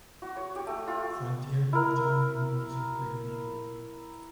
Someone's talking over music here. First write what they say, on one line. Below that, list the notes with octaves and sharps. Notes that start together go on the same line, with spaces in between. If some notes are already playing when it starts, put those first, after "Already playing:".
"Frontier" was generally well received by the media.
F#4
C#5
G4
A3
F4
E4 A#4